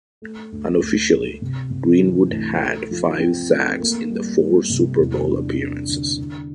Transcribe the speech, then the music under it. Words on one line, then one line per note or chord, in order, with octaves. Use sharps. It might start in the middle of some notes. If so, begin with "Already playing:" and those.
Unofficially, Greenwood had five sacks in the four Super Bowl appearances.
A3
D2
D2
A3
C3
C3
E3
D2
A3
F3
C4
A3
A#3
G3
G3
C3
E2
D4
D4
D3
D3